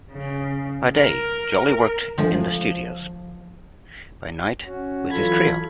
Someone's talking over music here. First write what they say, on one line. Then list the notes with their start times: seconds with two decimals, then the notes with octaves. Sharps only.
By day, Jolly worked in the studios; by night, with his trio.
0.12 C#3
0.97 A#4
2.18 D3 F3 G#3 A3
4.65 C#4 F#4
5.10 E3 F#3 F4 A4 B5 G#6